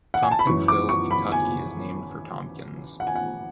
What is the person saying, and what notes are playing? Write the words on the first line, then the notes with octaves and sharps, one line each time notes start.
Tompkinsville, Kentucky, is named for Tompkins.
F#5
G#5
A5
B5
F#2 E3 C#6
D6
C#6
B5
G#5
F#5
G#5
F#5